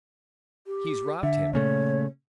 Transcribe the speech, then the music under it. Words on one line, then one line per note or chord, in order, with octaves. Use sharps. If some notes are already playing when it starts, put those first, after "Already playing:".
He's robbed him!
G4
D3 E5
A#2 C#3 A3 C#5